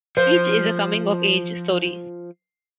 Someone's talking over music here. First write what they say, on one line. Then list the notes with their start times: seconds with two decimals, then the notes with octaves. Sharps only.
Each is a coming of age story.
0.17 F3 C5